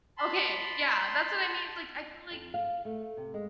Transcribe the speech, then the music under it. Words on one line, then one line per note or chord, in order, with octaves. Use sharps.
Okay. Yeah, that's what I mean it's like, I feel like
A5 B5 C6
F2
F5
A3
C3
G#3